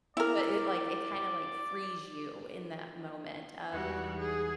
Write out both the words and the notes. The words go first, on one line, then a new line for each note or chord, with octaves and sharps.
But it, like it kinda, like, frees you in that moment of,
E4 A#4 D5
E2 G3 G#3 D#4 F#4
G#4